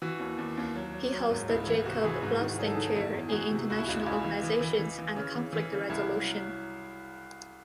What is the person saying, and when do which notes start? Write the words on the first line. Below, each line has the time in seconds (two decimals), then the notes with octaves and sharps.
He holds the Jacob Blaustein Chair in International Organizations and Conflict Resolution.
0.02 E3 F#4
0.20 D#2
0.38 D#2
0.57 D#2
0.75 F#3
0.94 F#3
1.12 F#3
1.30 G#2
1.48 C#2 E4
1.67 E3 E4
1.85 C3 F#4
2.04 E3 G#4
2.22 G#2 F#4
2.41 D#3
2.58 F#3 G#4
2.66 A4
2.74 D#3 G#4
2.95 E2 E4
3.14 E2
3.29 G#4
3.32 E2 F#4
3.51 C3
3.70 C#2 F#4
3.78 E4
3.86 C#2 F#4
4.06 C#2
4.24 E3
4.43 E3
4.61 E3
4.79 E3
4.99 E3
5.16 C#3
5.35 E3
5.53 E3
5.72 C#3
5.89 C2 E4
6.08 F#3